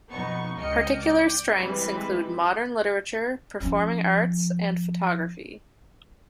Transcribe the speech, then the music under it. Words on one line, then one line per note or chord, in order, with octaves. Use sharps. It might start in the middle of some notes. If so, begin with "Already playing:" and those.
Particular strengths include modern literature, performing arts, and photography.
B1 F2 B3 D#4 C#6
C#2 D#5 G5 F6 C#7
D5 G5
E3 G3 G#3 C4 E4 B4
F3 C#4